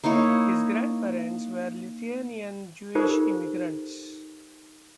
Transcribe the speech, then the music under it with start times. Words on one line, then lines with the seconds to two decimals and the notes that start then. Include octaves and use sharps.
His grandparents were Lithuanian Jewish immigrants.
0.04 A#3 D#4 E4 C#5
2.95 D#4 F4 G4 A4 A#4 C5